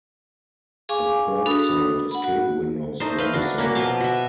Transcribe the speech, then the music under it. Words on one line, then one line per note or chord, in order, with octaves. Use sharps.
The port-side escape windows were missing.
G#4 F5 G#5 C#6 D6
D4 F#4 A4 B5 D#6
F#5 B5
F#4
A3 D#4 C5
B4 F5 C6
D4 F#4 F5
A#3 C#4 F#4
B2 F3 D6
F#4 E5